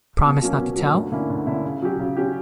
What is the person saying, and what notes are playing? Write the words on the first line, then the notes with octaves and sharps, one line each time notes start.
Promise not to tell?
B2
F#3 A#3 C#4
B2
F#3 A#3 C#4
D2
D3 A#3 C#4 E4
D2
D3 A#3 C#4 E4
C#3
F#3 C#4 G4
C#3
F#3 C#4 G4